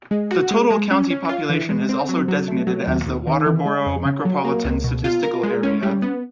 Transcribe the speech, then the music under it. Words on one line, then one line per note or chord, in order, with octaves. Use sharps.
The total county population is also designated as the Walterboro Micropolitan Statistical Area.
G#3
F#4
G#3
G#3
C#4
C#4
F4
E3
G#3
C4
F#3
F#3
A3
F#3
D#2
D#2
D#3
E3
G#3
F2
C#3
F#3
A#3
C#2
B2
F4
A#4
G#3
C#4
G3
B3